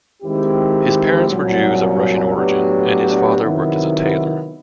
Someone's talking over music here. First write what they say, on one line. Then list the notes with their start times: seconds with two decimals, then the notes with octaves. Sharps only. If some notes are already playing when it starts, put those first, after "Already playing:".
His parents were Jews of Russian origin and his father worked as a tailor.
0.22 D#3 G#3 C4 E4 G4
1.28 C2 A#2 F#3
2.34 A2 F#3 B3 D4 G4
3.40 C3 D#3 F#3 B3 E4